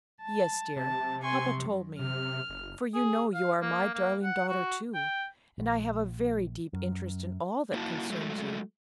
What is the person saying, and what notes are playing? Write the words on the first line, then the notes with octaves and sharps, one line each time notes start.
"Yes, dear; papa told me; for you know you are my darling daughter too, and I have a very deep interest in all that concerns you."
A5
C3 A5
G#5 C6 C#6
F#2
C3 F6
F#1
G#4
F5
A#3
A#3
F#5
F#4
G5
A#1
F#2
A#3 E4 F#4 B4 D#5 A5
F#3 G#3 A3